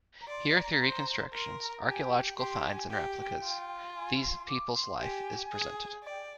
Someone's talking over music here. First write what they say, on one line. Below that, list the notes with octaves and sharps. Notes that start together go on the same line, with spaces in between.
Here, through reconstructions, archaeological finds and replicas, these people's life is presented.
A#5
D5 C6
A#5
C5
A#4 C6
A#5
G4 G#5
G5
G4 C6
G#5
G4 G5
F4
G#5
C6
D6
C6
G4 G#5
G#4
D5 G5